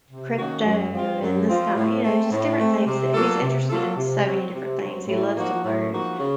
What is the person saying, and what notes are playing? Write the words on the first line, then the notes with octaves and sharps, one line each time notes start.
crypto and this kinda you know, just different things that he's interested in, so many different things. He loves to learn.
C3
D#3 A#3 C#4 F#4
F#2
F3 C4 F4
F#2
F3 C4 F4
A2
A3 C4
A2
A3 C4
C3
F#3 A#3 F4 A4
C3
F#3 A#3 F4 A4
C3
F#3 C4
C3
F#3 C4
A2
F3 A#3 D#4 F#4
A2
F3 A#3 D#4 F#4
C#3